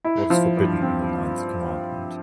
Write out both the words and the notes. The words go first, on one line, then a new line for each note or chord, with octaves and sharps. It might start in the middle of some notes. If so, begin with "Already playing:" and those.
What is forbidden in the ninth commandment?
E4
F3
G2
C4